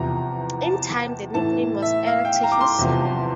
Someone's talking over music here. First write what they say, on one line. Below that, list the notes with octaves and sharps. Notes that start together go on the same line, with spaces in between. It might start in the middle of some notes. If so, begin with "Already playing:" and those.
In time the nickname was added to his surname.
Already playing: E2 C3 F3 A#5
A5
A2 E3 A5
E5
F5
G5
A#5
D6
C6
E2 C3 F3